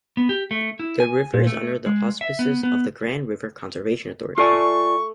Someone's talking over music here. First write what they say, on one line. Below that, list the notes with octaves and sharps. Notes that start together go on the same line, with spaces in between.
The river is under the auspices of the Grand River Conservation Authority.
B3
G4
A3
E4
G#5
A#2
A3
G#3
E5
B3
B3
A3 F4 D5 G#5 C#6